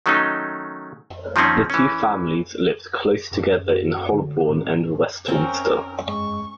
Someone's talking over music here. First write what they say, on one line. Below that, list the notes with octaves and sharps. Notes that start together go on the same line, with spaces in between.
The two families lived close together in Holborn and Westminster.
D#3 F#3 A3 C#4 D#4
D#3 F3 A#3 C4 C#4 D#4
E3 C#4
F#2 A2 A#4
F#4 A4
D3
A2 C#4 A#4
C4 C#4 A#4
G2 G#3 C#6